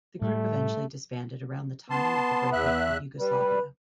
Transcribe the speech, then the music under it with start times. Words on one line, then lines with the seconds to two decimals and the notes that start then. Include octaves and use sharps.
The group eventually disbanded around the time of the Breakup of Yugoslavia.
0.21 A2 G3 A3
1.90 B3 A5 C6
2.53 E2 E5 F#6
3.20 G3 B4